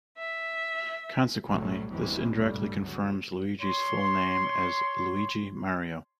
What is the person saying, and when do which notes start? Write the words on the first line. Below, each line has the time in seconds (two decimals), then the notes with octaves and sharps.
Consequently, this indirectly confirms Luigi's full name as Luigi Mario.
0.17 E5
1.48 A#1 A2 C3 F#3 G3 A3
1.89 G1 E2 E3 F#3 G#3 C4
2.33 F1 C#2 G2 A#2 G3 A3
2.78 D2 C#3 F#3
3.62 C#5 C6